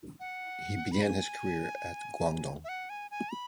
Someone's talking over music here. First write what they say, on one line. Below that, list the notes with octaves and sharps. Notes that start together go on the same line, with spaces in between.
He began his career at Guangdong.
F#5
B5
G#5
E5
F#5
G#5
G#5
B5